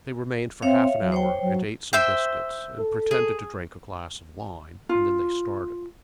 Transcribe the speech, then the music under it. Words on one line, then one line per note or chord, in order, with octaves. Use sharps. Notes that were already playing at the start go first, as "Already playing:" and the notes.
They remained for half an hour, and ate some biscuits and pretended to drink a glass of wine, and then they started.
C4 C#5 E5 F5
F#3
C5 C#5 G5
F#3
C5 E5 G5
A4
G#4
F4